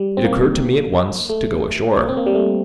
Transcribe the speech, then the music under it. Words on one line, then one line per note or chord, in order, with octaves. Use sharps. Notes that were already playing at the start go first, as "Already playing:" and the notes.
It occurred to me at once to go ashore.
Already playing: G3
C4
A#3
A3
A#3
C4
A#3
G3
A3